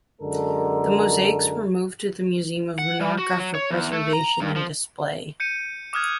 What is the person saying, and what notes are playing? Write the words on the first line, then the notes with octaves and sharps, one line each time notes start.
The mosaics were moved to the Museum of Menorca for preservation and display.
F#2 D3 G#3 A4 A#4
F#5
G3
F#4
F#3
C#5
E2
A3
A#5
G2
F3
G6 C#7 D#7
D6 D#6 F6 F#6 G#6